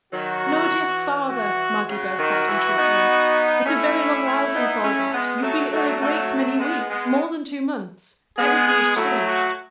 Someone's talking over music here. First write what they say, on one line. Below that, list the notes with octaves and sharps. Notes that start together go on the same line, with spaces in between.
"No, dear father!" Maggie burst out entreatingly; "it's a very long while since all that; you've been ill a great many weeks,--more than two months; everything is changed."
D#3 F#3 F#4
E3
F#4
C#3 F#4
D#3
E3
B3 D#4
A3 C#4 E4
A3 C#4
B3 D#4
A3 C#4
G#3 B3
F#3 A3 F#4
F#3 A3
F#3 A3
G#3 B3
G#3 B3
G#3 B3 G#4
G#4
F#3 A3 E4
F#4